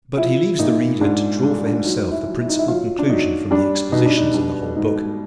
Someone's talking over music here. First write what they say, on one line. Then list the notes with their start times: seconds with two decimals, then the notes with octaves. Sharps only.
But he leaves the reader to draw for himself the principal conclusion from the expositions in the whole book.
0.17 F3 E4
0.59 A#2 D#4
1.01 G#2 D4
1.43 G3 D4
1.67 D4
1.85 F#3 D#4
2.12 E4
2.27 F#3
2.40 E4
2.49 D#4
2.59 E4
2.68 F#3 F4
2.99 D4
3.09 F#3 D#4
3.51 G3 D4
3.92 B2 D#4
4.06 D4
4.17 D#4
4.34 G3 D4
4.76 G#2 D#4